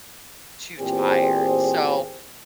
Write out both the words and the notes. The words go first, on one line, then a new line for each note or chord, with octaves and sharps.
too tired. So,
E2 A#2 C4 G4 G#4 C5